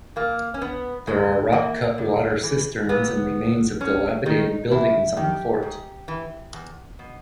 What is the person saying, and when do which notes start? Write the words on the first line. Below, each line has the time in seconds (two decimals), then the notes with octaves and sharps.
There are rock cut water cisterns and remains of dilapidated buildings on the fort.
0.16 A#2 A#3
0.54 C#4
0.62 B3
1.07 G#2 G#3
1.53 E3 A#3
1.98 G2
2.43 E3
2.89 A#2 B3
3.80 E2 C#4
4.26 D#3 D#4
4.71 E2 E4
5.16 D#3 G4
5.63 G#2
6.08 E3
6.53 E2
6.99 B2